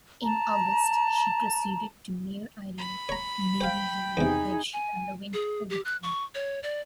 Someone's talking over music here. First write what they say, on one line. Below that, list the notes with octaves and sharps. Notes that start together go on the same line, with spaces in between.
In August, she proceeded to Mare Island Navy Yard where she underwent overhaul.
A5 A#5
B5
C#5 A#5
C5 F5 G5
E2 C3 D#4 G#4
G#5
G#4
G4
F#6
C#6
C#5
D5